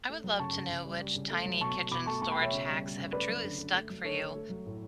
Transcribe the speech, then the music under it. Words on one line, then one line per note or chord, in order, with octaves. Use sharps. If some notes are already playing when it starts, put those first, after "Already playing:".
I would love to know which tiny kitchen storage hacks have truly stuck for you
A3
F#3
C#3 A5 C#6
C#3
C#3
G3
G3
C#3
A3
F#3
B2 A5 C#6
B2
B2 B5 D6
A3 A5 C#6
A3 A5 C#6
G5 B5
B2 C#5 E5
C#3
G3
G3
C#3
A3 B4 D5
F#3
D3
D3
A3
F#3
D3 A4 C#5
D3
A3
F#3
A2